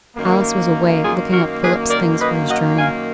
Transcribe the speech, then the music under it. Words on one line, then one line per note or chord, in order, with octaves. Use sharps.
Alice was away, looking up Philip's things for his journey.
F#2 D#3 A#3
F4 G#4
F#4 A#4
G#4 B4
A#4 D5
B4 D#5
D#5 F#5
F5 G#5